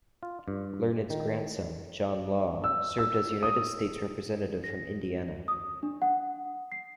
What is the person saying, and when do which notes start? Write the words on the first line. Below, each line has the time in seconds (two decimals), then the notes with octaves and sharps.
Learned's grandson, John Law, served as United States Representative from Indiana.
0.23 F4
0.48 G2
1.10 D#3
2.64 E6
2.98 E6
3.43 D#6
4.64 A#6
5.48 D#6
5.83 D4
6.02 F#5
6.72 C7